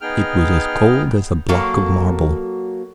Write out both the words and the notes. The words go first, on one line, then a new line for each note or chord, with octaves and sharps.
It was as cold as a block of marble.
B3 D#4 G#4 G5 F6
F#3 A#3 A4